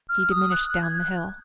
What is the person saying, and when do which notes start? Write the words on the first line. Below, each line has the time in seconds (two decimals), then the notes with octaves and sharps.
He diminished down the hill.
0.09 F6
0.30 D#6
0.52 F#6
0.67 F#6
0.83 G#6
0.98 F#6